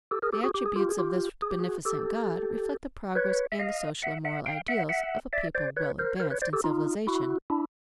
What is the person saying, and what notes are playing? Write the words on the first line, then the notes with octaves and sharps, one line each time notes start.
The attributes of this beneficent god reflect the progress, and the social and moral ideals of a people well advanced in civilization.
G4 A4
G#4 A#4
G4 A4
F#4 G#4
G4
G#4
F4 G4
G#4
F4 G4
G#4
G4
F#4 G#4
G4 A4
B4 C#5
E5
D#5 F5
E5 F#5
E5 F#5
F5 G5
E5 F#5
E5 F#5
D5 E5
C5 D5
B4 C#5
A#4 C5
C#5
A#4 C5
B4 C#5
C5 D5
G4 A4
D#4 F4
E4 F#4
D4 E4